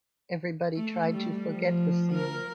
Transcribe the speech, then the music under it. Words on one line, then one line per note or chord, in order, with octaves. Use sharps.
Everybody tried to forget the scene.
A3
G3
F3
A#4